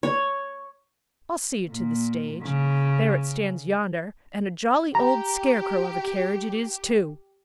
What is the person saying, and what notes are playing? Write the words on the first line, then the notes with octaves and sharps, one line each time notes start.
"I'll see you to the stage. There it stands yonder--and a jolly old scarecrow of a carriage it is, too!"
C#5
A#2
C#3
G4 A#5